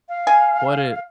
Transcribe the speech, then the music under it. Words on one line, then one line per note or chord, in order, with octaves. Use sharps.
What did
F5
G#5